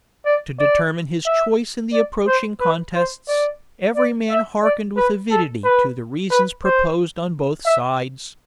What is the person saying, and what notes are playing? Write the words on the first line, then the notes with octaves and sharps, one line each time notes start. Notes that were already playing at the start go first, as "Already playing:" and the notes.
To determine his choice in the approaching contests, every man hearkened with avidity to the reasons proposed on both sides.
D5
D5
E5
D5
C5
B4
C5
D5
D5
E5
D5
B4
A4
B4
B4
C5
E5